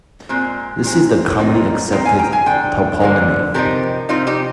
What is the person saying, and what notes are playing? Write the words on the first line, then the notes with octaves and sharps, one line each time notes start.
This is the commonly accepted toponymy.
A#2 G#3 C4
A#2 G#3 C4
A#2 F3 C4 D#4
A#2 F3 C4 D#4 G5 A#5
F5 G#5
G5 A#5
F5 G#5
D3 F3 G5
D3 F3 A#3 D#4
C3 F3 C4 D#4 G4 A#4
C3 F3 C4 D#4 F4
D#4 G4